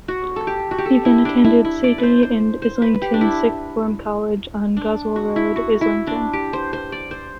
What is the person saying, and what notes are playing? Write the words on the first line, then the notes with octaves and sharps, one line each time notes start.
He then attended City and Islington Sixth Form College on Goswell Road, Islington.
F#4
A4
G4
F#4
G4
A4
E4
D4
E4
E4
D5
B4
C5
C5
C5
B4
G4
D4
E4
D4
F#4
E4
F#4
E4
D4
G4
C5
C5
D5
C5